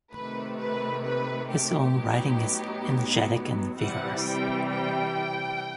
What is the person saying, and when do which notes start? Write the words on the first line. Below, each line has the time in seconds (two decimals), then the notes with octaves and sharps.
His own writing is energetic and vigorous.
0.12 C3 D#3 A3 B4
0.58 B4
1.04 B4
1.50 G4
1.95 A2 F#3 B3 D#4
3.78 C3 E3 G3 C4 F#5
4.23 G5
4.70 G5